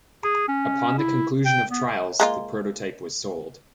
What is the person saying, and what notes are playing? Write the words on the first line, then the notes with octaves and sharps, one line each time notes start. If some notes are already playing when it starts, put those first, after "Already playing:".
Upon the conclusion of trials, the prototype was sold.
G#4
C#4
E4
G5
B3
G#3 A#3 F4